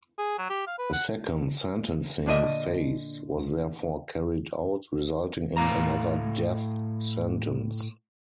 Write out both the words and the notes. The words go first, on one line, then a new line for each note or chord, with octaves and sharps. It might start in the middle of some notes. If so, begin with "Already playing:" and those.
A second sentencing phase was therefore carried out, resulting in another death sentence.
G#4
F#3
G4
F5
B4
F#5
A#2 D3 D4 G#4 D#5 E5
A2 F5 A#5